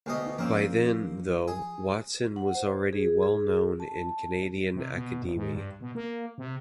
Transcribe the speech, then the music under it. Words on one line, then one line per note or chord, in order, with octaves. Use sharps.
By then, though, Watson was already well known in Canadian academe.
D2 B2 D#5
F3 A#3 C4 C#4 D5
G#4
F#5
C5
G#4
G#4
A5
C3
B2
F1
G#2
G2
B2
A#3
C3